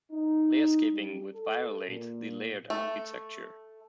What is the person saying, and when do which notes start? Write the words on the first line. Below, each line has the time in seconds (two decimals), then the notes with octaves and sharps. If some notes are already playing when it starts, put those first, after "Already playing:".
"Layer skipping" would violate the layered architecture.
0.12 D#4
0.93 G3
1.34 A4
1.88 A#2
2.70 A3